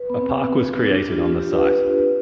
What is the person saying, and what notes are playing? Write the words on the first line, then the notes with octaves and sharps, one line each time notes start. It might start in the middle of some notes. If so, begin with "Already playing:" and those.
A park was created on the site.
Already playing: B4
B3
C4
D4
G4
F4
F4
G4
B4
B4